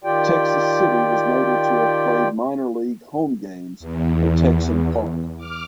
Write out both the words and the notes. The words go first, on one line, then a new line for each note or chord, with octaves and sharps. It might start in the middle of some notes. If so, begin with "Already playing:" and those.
Texas City was noted to have played minor league home games at Texan Park.
D#3 F4 G4 D5 G5
E2
D6 F6